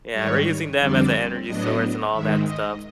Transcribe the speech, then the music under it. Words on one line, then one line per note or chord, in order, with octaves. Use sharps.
Yeah, we're using them as an energy source and all that stuff,
G#2 D#3 G3 C#5
F2 D3 G3 C4 D5
A2 F#3 B3 D4 D#5
G#2 D#3 G#3 E5
D#5